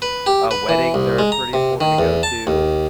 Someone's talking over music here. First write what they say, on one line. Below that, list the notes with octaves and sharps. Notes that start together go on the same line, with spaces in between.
uh, weddings are pretty important to go to.
B4
G4
B4
E3
C2
G#3
A#5
C3
D#3
E2
A5
D#2